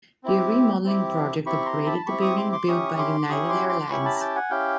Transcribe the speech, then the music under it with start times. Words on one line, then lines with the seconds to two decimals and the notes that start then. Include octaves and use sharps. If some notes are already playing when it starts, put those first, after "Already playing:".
The remodeling project upgraded the building built by United Airlines.
0.23 C4 E4 G4
0.84 C4 E4 G4
1.46 C4 E4 G4 B5 C#6
1.66 A#5 C6
1.86 A5 B5
2.06 C4 E4 G4 B5 C#6
2.21 C#6 D#6
2.37 C6 D6
2.52 C6 D6
2.68 C#4 E4 G4 C#6 D#6
2.99 C6 D6
3.29 C#4 E4 G4 C#6 D#6
3.49 C6 D6
3.69 C6 D6
3.89 C#4 E4 G4 B5 C#6
4.05 A5 B5
4.15 A#5
4.20 G5 A5
4.35 F#5 G#5
4.50 C#4 E4 G4 F5 G5